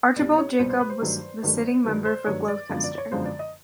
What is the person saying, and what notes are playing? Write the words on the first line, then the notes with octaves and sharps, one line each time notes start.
Archibald Jacob was the sitting member for Gloucester.
C2 B2 G3 B3 D5
C#5
C2 B2 G3 B3 C5
C5
B4
C5
G2 D#3 F#3 A3
G2 D#3 F#3 A3
G2 D#3 F#3 A3 B4
C5
G2 D#3 F#3 A3 C#5
D5
F#2 D3 F3 G#3 B3
D5
C#5
F#2 D3 F3 G#3 B3 C5
D5
D#5